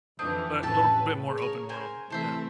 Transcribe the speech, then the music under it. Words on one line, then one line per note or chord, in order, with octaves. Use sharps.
but little bit more open world. Yeah.
F2 D3 E3 C4 D4 D#5
A1 C#4 G4 A4 B4 A5
C#3
A#4 C#5
A#4 C5 G#5
C3 E3 A3 A4 C5 E5